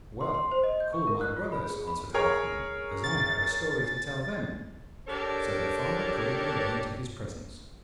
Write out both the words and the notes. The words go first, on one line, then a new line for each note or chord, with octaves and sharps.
'Well, call my brothers,' answered Halfman, 'as I have a story to tell them.' So the father called them all into his presence.
C6
C6
C5
D#5
G6
C#6
A#4
F#6
F4
B5
G#4
B5
G#4 A#4 C#5
A6
D4 G4 A4 A#4 C#5